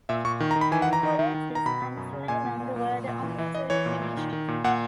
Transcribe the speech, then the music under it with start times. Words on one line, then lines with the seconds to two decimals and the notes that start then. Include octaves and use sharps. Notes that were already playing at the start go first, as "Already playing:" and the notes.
Kolettis and Flameng were the only two to finish.
0.09 A#2 E5
0.25 A#2 C#6
0.40 D#3
0.51 A#5
0.56 D#3
0.61 B5
0.72 E3 G#5
0.82 F#5
0.87 E3
0.93 A#5
1.03 D#3
1.19 D#3
1.34 D#3
1.50 D#3
1.55 A#5
1.66 B2 B5
1.82 B2
1.97 F#2
2.13 C#3
2.28 A#2 G#5
2.45 A#2
2.60 A#2
2.76 A#2
2.91 A#2
3.08 A#2
3.23 E3
3.38 E3
3.54 E3 D#5
3.70 E3 C#5
3.86 A#2
4.02 A#2
4.17 D#3
4.33 D#3
4.48 A#2
4.64 A#2 F#5